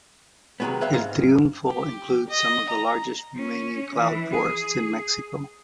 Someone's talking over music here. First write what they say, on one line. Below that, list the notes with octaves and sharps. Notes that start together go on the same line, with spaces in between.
El Triunfo includes some of the largest remaining cloud forests in Mexico.
C3 D#3 F3 F#3 G#3 B3
B4 C#5 E5 F5 G5
G#2 F5
G4
D#5
A#5
C#4
E3
G#4